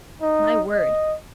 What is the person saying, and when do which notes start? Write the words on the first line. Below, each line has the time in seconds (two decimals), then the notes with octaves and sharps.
My word!
0.22 D#4
0.68 D#5